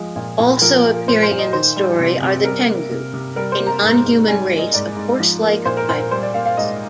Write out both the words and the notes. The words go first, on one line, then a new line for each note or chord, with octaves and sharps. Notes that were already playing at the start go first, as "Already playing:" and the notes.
Also appearing in the story are the Tengu, a non-human race of horse-like bipeds.
Already playing: F3 G#3
A#2
A#2
F3 A#4
A#3
A#2 C5
C5
A#2
D#5
D#3 C5
G3
C3
C3
G3 A#4
A#3
C3
C3
G3 A#4
C5
A#3
A#5
G#2
G#2
G3 G#5
A#3
D#5
G#2 D5
G#2
F3
A#3
A#2 C5
A#4
A#2 C5
A#4
G3 C5
D5
A#3 F5
F5
G#2 D#5